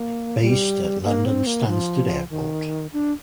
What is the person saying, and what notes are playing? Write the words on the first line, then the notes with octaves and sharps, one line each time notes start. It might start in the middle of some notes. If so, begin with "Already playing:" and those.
Based at London Stansted Airport.
Already playing: A#3
G3
A#3
C4
A#3
F3
D#3
D4